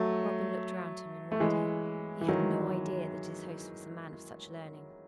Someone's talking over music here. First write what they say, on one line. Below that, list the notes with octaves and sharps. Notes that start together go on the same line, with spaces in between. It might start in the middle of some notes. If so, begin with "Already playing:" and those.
Robin looked round him in wonder: he had no idea that his host was a man of such learning.
Already playing: F#3 A3
A3
E3 G#3
E3
D#3 F#3